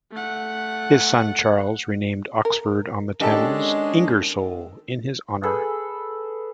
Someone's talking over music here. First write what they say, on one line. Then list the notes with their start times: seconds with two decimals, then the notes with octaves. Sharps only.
His son Charles renamed Oxford-on-the-Thames "Ingersoll" in his honor.
0.12 A3 F#5
2.45 A#4
3.21 D#3 G#3 C#4 D4 G4 A4 G#5 A5
5.43 G#4 A4 B4